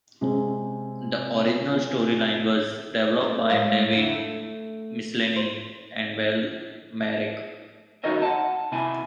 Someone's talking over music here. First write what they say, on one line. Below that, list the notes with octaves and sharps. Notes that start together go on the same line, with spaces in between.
The original storyline was developed by David Michelinie and Val Mayerik.
C3 G#3 C4 C#4
A3 A#3
A2 G#3 F5
F2 D3 E4
A3
C5
D#4 F#4 A#4 C#5 D#5 E5
F#5 A5
C3 E4 G#5